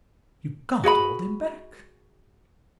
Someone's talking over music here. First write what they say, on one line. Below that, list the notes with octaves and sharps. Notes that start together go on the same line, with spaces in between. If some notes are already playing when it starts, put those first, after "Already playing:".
You can't hold him back.
F#4 G#4 F#5 B5